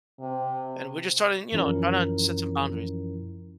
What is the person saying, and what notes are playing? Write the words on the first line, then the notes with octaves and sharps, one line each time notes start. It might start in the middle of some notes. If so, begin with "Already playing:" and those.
And we're just starting, you know, trying to set some boundaries.
C3
F#2 E3 F3 C#4 E4 A#4